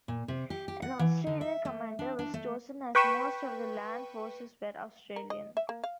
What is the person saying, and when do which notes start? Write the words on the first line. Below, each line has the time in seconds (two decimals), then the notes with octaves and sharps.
An Australian commander was chosen as most of the land forces were Australian.
0.08 A#2
0.28 C3
0.50 G4
0.68 G4
0.82 F#5
0.99 E3
1.27 D3
1.41 E5
1.65 A3
1.99 D4
2.19 D4
2.34 A3
2.95 B4 G5 C#6 B6 D#7 E7
5.16 A#4
5.30 D#5
5.57 E5
5.69 A#3
5.84 F5